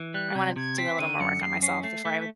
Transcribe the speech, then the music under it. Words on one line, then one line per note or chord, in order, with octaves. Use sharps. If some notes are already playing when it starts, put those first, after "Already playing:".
I wanna do a little more work on myself before I would
Already playing: E3
G3 F#6
C3 G#6
C3 G#6
C4 B6
D3 D#7
F#2 C#7
F#2 C7
C#4 C7
A3 C7
A3 B6
B6